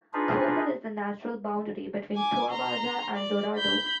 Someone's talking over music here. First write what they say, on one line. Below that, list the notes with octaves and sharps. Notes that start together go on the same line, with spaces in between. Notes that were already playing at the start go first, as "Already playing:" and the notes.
Cocal is the natural boundary between Toa Baja and Dorado.
D4 D#4 F4 G#4 B4
G#5 D6
A#5 C6
D5
B5 G6